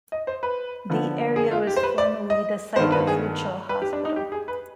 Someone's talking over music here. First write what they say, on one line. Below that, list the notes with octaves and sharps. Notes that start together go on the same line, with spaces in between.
The area was formerly the site of Ruchill Hospital.
D#5
C5
B4
D3 F3 B3
G#4
F4
G4
C5
B4
D5
D#5
G2 D#3 B3 C5
B4
G#4
B4
G4
D4
D#4
G4
G#4
B4